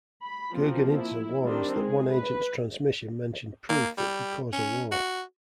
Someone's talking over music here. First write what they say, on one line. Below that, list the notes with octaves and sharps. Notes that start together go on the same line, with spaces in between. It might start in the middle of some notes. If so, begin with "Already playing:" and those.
Gurgenidze warns that one agent's transmission mentioned proof that could cause a war.
B5
F3 A#3 C4 F#4
E4
D#3 G3 C4 D4
G#3 G#4
B4
A#3
G3
C#4
F#4